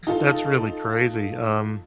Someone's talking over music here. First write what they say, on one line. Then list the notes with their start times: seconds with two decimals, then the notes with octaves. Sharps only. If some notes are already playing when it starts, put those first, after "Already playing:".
that's really crazy, um
0.07 D#4 F4 A4